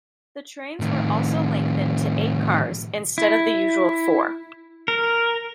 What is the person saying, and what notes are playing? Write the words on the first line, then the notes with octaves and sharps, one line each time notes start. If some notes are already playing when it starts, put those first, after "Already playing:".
The trains were also lengthened to eight cars instead of the usual four.
A2 D#3
E4
A#4